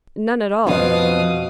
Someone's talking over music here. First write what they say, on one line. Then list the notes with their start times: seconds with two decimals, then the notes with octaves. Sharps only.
"None at all."
0.67 F2 B2 F5 D#6